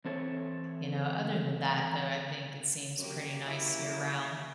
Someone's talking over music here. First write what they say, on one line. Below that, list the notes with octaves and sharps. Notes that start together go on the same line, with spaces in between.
you know, other than that though, I think it seems pretty nice year-round.
E3 C4 A4 C#5 E5
F#2 A#3 G4
E4